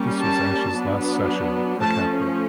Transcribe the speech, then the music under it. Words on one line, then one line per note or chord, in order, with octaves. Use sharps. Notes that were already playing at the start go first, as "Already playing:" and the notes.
This was Ash's last session for Capitol.
Already playing: G3 A#3 C#4
A5
F#3 B3 D4
F3 A3 C#4 A5